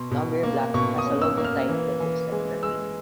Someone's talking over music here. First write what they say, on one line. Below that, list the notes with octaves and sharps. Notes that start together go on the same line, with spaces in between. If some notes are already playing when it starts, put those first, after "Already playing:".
Nogger Black has a logotype that looks like graffiti.
Already playing: B2 C6
B2
A#3
B2 C#6
D#6
C#4
E6
A#3
F6
E3
E3
G#3
G#3 E6